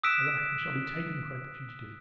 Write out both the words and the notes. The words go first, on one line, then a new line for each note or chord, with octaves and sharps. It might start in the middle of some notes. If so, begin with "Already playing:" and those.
"Alack, I shall be taken!" cried the fugitive.
D#6 E6 F#6 B6 D7 E7